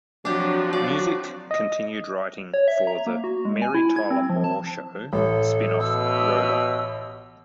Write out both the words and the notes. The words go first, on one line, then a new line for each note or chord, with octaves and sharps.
Music continued writing for the "Mary Tyler Moore Show" spin-off "Rhoda".
F3 F#3 C4 D4 F#4 G4
F#3 D5
D#5
C#5
E5
A#5
A#3
F#4
G#3
G#5
E4
G#6
C4
F3
A5
A1 A4
B2 E6